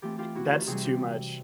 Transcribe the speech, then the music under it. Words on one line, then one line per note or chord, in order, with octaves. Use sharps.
I that's too much.
E3 A3 C4 F4 G4
F4 G4
E4 F#4
D#4 F4
C3 E3 G3 F#4 G#4
F4 G4